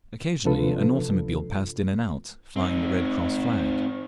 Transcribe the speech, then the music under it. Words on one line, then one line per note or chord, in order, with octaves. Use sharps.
Occasionally an automobile passed in and out, flying the Red Cross flag.
C3 F3 D4 F4 A4 B4
C4 D#4